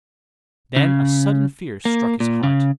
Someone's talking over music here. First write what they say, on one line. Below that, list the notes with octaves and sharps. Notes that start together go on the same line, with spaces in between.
Then a sudden fear struck his heart.
C#3
A#3
A#2
C#3